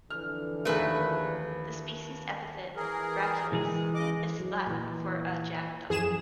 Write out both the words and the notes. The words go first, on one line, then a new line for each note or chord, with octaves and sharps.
The species epithet "graculus" is Latin for a jackdaw.
F2 D3 E3 F6
D#2 A3 G#4 A#4 B4
E3 G#4 A#4
E3 G#3 G#4
C#3 D#5 D6
F#3
A#2 E3
F#2 E3 F3 G#4 E7